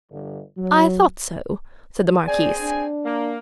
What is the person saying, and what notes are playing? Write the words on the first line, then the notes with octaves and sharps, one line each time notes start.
"I thought so," said the marquise.
G1
F#3
C4 G#4 D5 G#5
D4
A#3